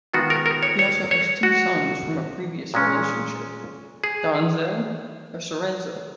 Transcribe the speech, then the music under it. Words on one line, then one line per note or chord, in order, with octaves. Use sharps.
He also has two sons from a previous relationship, Denzell and Cerezo.
D#3 G#3 B3 F4 F#4
A#4
A#4
C#5
C#5
C#5
F#4
A#2 G#3 C#4
G#4